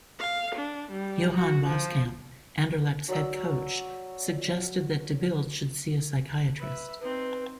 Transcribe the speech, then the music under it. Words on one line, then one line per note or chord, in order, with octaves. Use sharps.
Johan Boskamp, Anderlecht's head coach, suggested that De Bilde should see a psychiatrist.
F5
D4
G3
F#4
F3
F#3 F#4 D5 E6
B4 E5
C4 D#4 B4